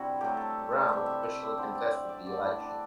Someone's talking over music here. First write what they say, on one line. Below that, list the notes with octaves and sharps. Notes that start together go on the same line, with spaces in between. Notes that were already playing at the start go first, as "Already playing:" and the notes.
Brown officially contested the election.
Already playing: C3 G3 D4 E4 F#4
A2 F#3 A3 G4
A4
D5
C3 E3 A3 E5
E5
E5
D5
D3 G3 C5
D5
E5
D5
D3 A3 D5
E4
D4